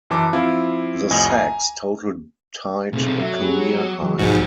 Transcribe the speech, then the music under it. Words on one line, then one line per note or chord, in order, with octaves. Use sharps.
The sacks total tied a career-high.
F#2 E3 A5 D6
F3 C4 E4 F4
C2 F2 A2 D#5 G#5
G#5 A#5
B1 C3 A3 C#4 G#4
F#3 E5
B3 G4 G#4
E3 F#3 G#3
B1 G#2 F3 G3 G#3 F#4